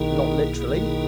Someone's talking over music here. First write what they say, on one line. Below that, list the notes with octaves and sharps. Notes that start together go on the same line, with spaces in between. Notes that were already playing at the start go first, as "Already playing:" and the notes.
"Not literally."
Already playing: B1 B2 D#3 A#3 E4 G#4
D#3